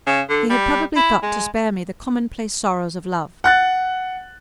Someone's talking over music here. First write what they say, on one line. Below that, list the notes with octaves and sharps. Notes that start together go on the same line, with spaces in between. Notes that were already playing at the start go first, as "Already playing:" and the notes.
He had probably thought to spare me the commonplace sorrows of love.
C#3
D3
G3
E4
G#3
F#5 F#6 A6